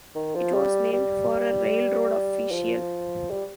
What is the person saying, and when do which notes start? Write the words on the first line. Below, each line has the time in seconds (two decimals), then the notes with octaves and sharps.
It was named for a railroad official.
0.15 D#3
0.35 F3
0.54 G3
0.93 G3
2.52 F3
3.31 G3